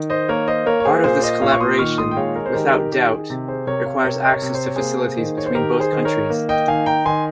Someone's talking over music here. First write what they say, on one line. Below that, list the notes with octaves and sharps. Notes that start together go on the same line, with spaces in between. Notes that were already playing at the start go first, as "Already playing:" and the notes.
Part of this collaboration, without doubt, requires access to facilities between both countries.
Already playing: D#3
C5 D#5
A#3 A#4 C#5
C5 D#5
A#3 A#4 C#5
C#5
G#4 C5
A#2 G#4 C5
C5 D#5
A#2 C#5 F5
C#6
C6 D#6
D#3 C#6 F6
C6 D#6
G5
G#3 C#5 F5
A#4 C#5
C5
D#3 G4 A#4
G#4
G4 A#4
D#3 G4
G#4
C3
G#4 C5
C3 A#4 C#5
C#5 F5
C3 A#4 C#5
D#5
A#4 C#5
C3
C5
C#5
A#3 G#4 C5
D#3
C#5
C5
D#3 G4 A#4
G#4 C5
D#3
A#4 C#5
A#3
D#5 G5
D#3 F5 G#5
G5 A#5
D#3 G#5 C6